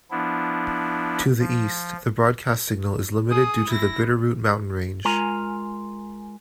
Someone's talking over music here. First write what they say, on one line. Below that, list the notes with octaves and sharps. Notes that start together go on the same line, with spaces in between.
To the East, the broadcast signal is limited due to the Bitterroot mountain range.
F3 B3 D4 E4
F3
G#4 D#6
E4 A#6
G#3 F4 A#4 G#5 A#5